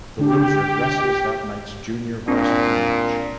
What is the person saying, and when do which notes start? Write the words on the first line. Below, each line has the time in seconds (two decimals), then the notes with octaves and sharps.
The loser wrestles that night's junior varsity match.
0.19 D3 D4 G4
2.28 A#2 C4 D4